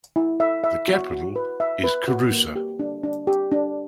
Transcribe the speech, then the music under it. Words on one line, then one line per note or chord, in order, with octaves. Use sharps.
The capital is Kouroussa.
E4
E5
E5
F#4
F#4
B4
E5
B4
F#4
A#3
G4
D4
D4
G4
D4